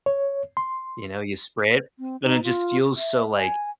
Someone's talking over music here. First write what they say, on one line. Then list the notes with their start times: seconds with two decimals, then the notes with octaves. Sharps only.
You know, you spray it, and it just feels so like
0.06 C#5
0.57 C6
1.99 C4
2.23 D#4
2.43 F4
2.97 E5
3.37 G#5